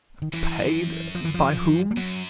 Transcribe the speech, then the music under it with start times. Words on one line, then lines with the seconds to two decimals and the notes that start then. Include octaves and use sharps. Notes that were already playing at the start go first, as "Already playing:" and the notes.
"Paid, by whom?"
0.22 D#3
0.33 F#2 E3
1.15 F3
1.25 E3
1.34 F3
1.91 G3
1.97 F#2 F#3